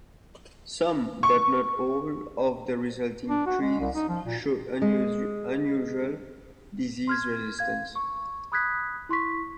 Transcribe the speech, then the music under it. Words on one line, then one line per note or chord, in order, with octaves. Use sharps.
Some, but not all, of the resulting trees show unusual disease resistance.
C#6
D4
F#4
G#3
C2
D#4
F3
A#2
G#3
C6 F6 G#6
F5 G#6
C#6
B5 D#6 F#6 G#6 B6
E4 C6 C#6 B6